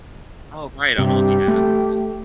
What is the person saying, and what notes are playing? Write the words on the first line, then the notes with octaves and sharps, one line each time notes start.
Oh, right, on all the apps and
G2 C3 G4
A3